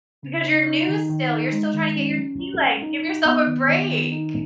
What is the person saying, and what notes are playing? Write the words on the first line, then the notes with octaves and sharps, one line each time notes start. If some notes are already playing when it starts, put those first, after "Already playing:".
Because you're new still, you're still trying to get your sea legs, give yourself a break.
C#3
D#4
D#4
D#3
D#3
D#4
G#3
D#3
C#4
F#3
F#3
F#3
D#4
D#4
B3
D#3
D#3
D#3
D#4